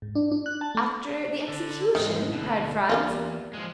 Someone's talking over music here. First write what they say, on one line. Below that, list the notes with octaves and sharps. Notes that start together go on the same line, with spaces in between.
"After the execution?" cried Franz.
G#2
D4
D4
F#6
A5
A3
D3
E2 G#2 D#3
D2 B2
E2 G3 A#3 F4
F3 G#3